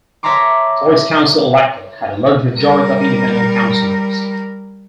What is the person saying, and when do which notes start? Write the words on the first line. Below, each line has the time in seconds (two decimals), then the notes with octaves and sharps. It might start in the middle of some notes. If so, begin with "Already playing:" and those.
The first council elected had a large majority of independent councillors.
0.23 C#5 E5 A5 A#5 C6 D6
2.57 G3 A#4